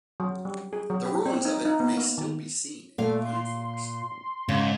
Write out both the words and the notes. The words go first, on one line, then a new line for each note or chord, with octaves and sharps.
The ruins of it may still be seen in the pine-forest.
F#3
G3
G#4
F#3
G4
C4
D#4
D#4
B3
A#3
D#3
A#2 A3 F5
C6
G#2 C#3